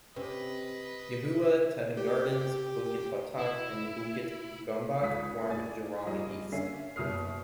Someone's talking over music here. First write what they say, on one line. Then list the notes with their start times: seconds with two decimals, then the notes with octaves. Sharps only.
Yuhua, Teban Gardens, Bukit Batok and Bukit Gombak formed Jurong East.
0.16 C3 C4 C#4 B4 D#5
1.97 G4
3.38 E4
5.01 G#1 C#2 G#3 D#6 B6
5.49 D5 G#5 A6
6.05 G2 F3 G#4 D#5
6.52 D3 A#3 C#4 E5 G#5 C7
6.96 F#1 B2 E5 D#6 F6 C7